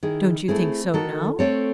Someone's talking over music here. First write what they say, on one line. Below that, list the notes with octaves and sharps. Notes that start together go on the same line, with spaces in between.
"Don't you think so, now?"
D#3 E4 G#4
A3 C4 E4 G#4
D#3 F#4 A4
A3 C4 A4 C#5